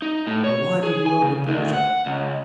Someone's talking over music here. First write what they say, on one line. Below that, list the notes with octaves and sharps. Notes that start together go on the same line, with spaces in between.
"And why did you not report her?"
D#4
A2
C#5
G#4
G#5
C#3
D2
F#5
C#2